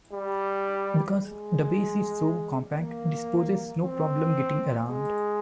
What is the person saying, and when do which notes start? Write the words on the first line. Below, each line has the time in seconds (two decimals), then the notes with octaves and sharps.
Because the base is so compact, this poses no problem getting around.
0.13 G3
1.19 G#3
2.78 A#3
3.83 C4
4.89 G#3